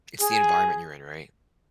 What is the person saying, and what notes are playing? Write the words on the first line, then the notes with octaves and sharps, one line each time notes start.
It's the environment you're in, right?
G#4